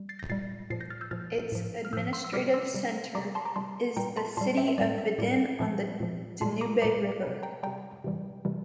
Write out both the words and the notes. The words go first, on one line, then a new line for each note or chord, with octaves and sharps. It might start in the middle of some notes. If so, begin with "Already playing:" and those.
Its administrative centre is the city of Vidin on the Danube river.
Already playing: G3
A6 C7
G6 A#6
A#2 G3 A6 C7
A#2 F3 A6 C7
G6 A#6
F6 A6
E6 G6
A#2 F3 F6 A6
A2 F3
F6
A2 F3 E6 G6
C6 E6
E6
C3 G3 D6 F6
C6 E6
C3 G3
C3 G3 A#5 D6
A5 C6
A#5 D6
C3 G3 A5 C6
A#2 G3 G5 A#5
A5 C6
A#2 G3 A5 C6
E5 G5
E5
A2 G3 D5
E5
A2 G3 D5
A#2 F3
A#2 F3
A#2 G3 A5 C6
A#5 D6
A#2 G3 A#5 D6
C3 G3
G5 A#5
C3 G3 G5 A#5
C3 E3 G3
C3 E3 G3